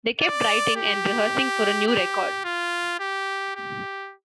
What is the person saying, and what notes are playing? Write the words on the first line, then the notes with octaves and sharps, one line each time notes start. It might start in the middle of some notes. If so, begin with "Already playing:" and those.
They kept writing and rehearsing for a new record.
D5
G4
G4
F4
G4
G4